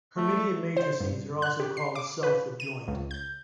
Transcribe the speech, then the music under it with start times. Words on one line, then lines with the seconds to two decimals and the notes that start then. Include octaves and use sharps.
Hermitian matrices are also called self-adjoint.
0.17 A3
0.77 C5
1.00 G2
1.42 F#6
1.60 G4
1.77 C7
1.95 D6
2.23 B4
2.60 D#7
2.88 C#2
3.11 G6